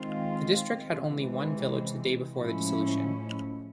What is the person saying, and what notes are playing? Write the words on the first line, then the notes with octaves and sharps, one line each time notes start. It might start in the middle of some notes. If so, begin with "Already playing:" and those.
The district had only one village the day before the dissolution.
Already playing: D#3 G#3 C4 F4
C3 E3 G#3
A2 F3 G#3 C#4 E4